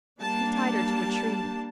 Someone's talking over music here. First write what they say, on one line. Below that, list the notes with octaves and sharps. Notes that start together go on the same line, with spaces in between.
He tied her to a tree.
G3 A#3 D4 A5
A5